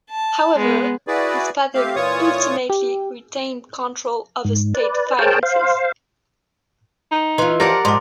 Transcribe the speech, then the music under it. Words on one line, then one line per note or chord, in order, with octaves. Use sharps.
However, his father ultimately retained control over state finances.
A5
G#3 B3
E4 F#4 G#4 B4 D5
A3 C4 G4 F5
A#2 E3 F4 C#5 C#6 D#6
G4
G#2
B4 D5
G#4 A#4 C5 C#5 G5 A5
C5 F5
D#4
E3 F4 D#5 C6
F3 G4 A#4 D5 F#5
G#2 F3 C6 D6